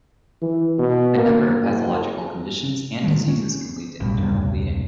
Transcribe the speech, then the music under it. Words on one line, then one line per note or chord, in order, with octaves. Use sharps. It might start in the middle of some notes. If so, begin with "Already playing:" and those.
A number of pathological conditions and diseases can lead to internal bleeding.
E3
B2
A#3
F#1
D3 D#3 G#3
C#4
A1 G2 B2
E1 C#2 G2 C3